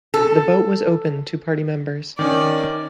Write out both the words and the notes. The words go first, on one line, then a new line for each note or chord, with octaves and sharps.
The vote was open to party members.
A4
D#3 C#4 D5